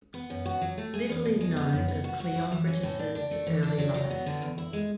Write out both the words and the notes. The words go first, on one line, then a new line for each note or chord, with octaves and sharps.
Little is known of Cleombrotus' early life.
B3
F#2
F#4
F#3
A3
G#4
E2
B2
G#3
B3
F#2
B3
F#4
F#4
E4
E3
C#4
A2
D4
D4
A3
E3
D4
F#3
F#3
B3
D3
E2
E4
G#3